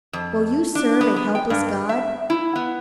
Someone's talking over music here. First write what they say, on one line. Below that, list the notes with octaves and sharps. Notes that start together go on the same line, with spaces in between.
Will you serve a helpless god?
F2
D4
B3
B3
G5
G2
E5
E4
B3